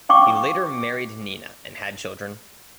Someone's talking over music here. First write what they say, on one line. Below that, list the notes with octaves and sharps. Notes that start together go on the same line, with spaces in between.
He later married Nina and had children.
F5 G5 C#6 D6